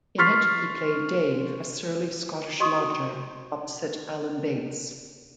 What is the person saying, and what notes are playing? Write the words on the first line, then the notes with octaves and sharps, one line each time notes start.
In it he played Dave, a surly Scottish lodger, opposite Alan Bates.
C6 C#6 F6 A6 B6 C7
F#4 D#5 C6 C#6 D#6